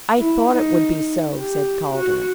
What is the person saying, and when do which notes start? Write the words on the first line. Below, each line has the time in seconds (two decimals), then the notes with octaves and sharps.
"I thought it would be so," said Calder.
0.19 E4
0.49 D#4
1.37 G4
1.96 F#4